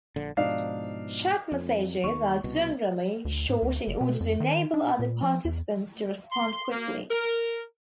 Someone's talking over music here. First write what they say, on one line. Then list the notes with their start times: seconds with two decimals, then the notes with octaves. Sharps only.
Chat messages are generally short in order to enable other participants to respond quickly.
0.16 A#1 D3
0.37 G#2 B2 F3 D4 D#4 F5
1.52 F2
2.04 D#2 C#6
2.44 C2 B2
3.25 D2
3.49 G#2
3.62 D2
3.87 F#1
4.01 B2
4.21 F2
4.40 D#3
4.74 D4
4.99 A#2
5.23 F3
5.45 E2
6.32 C6
6.72 A#3
7.11 A#4